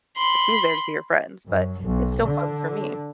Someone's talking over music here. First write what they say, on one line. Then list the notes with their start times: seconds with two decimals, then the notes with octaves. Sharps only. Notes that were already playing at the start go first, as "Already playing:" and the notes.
she's there to see her friends, but it's still fun for me.
0.17 B5 C6
1.48 F#2
1.82 B1
2.24 D3